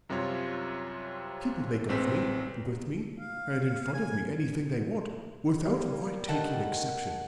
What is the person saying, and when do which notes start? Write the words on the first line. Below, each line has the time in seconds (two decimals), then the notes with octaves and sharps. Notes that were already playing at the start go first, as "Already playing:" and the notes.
People make of me, with me, and in front of me anything they want, without my taking exception.
0.09 F#2 C3 G3 F4 C#5
1.89 A1 C4 B4 B6
3.20 F5
3.94 G#5
5.65 G3 A#3
6.28 D#3 A4 F#5 G5 A5